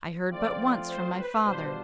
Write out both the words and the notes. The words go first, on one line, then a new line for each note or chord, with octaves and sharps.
I heard but once from my father.
F3 A3 C4 F4 D5
C5
B4
B2 G3 D4 F4 C5